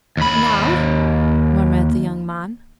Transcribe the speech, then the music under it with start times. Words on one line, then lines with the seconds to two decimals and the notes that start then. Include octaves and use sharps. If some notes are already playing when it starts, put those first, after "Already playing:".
"Now," murmured the young man.
0.17 D#2 B5